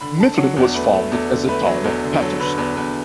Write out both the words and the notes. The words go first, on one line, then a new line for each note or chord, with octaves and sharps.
Mifflin was founded as the town of Patterson.
D3 B5
D3 A5
F#3 F#5
E2 F#5
A3 B4
A3
E2 A4
D3
A3 B4
F#3
E2 A4
D3
F#3 A4
D3 B4
E2 B4
E2 B4